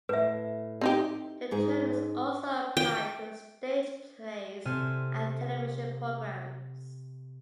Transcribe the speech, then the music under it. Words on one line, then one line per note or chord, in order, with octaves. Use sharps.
The term is also applied to stage plays and television programs.
A2 B4 E5
C4 D#4 G4
G#2 G#4
G5
C3 C4 A4 G#5 F6